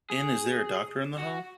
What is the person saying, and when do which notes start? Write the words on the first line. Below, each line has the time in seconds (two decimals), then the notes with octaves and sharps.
In Is There a Doctor in the Howe?
0.10 G#4
1.18 F#4